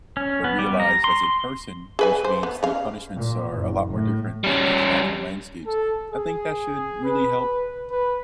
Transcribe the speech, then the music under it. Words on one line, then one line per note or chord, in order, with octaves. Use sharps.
uh, realized as a person- which means the punishments are a lot more different than just natural landscapes, I think that should really help
C#4
B3
G3
A#5
C6
C6
G#4 B4 G#5
C5
B3
C#3 F5
A#2
F#1
A2
G3 C#4
A4
G#4
B4
B4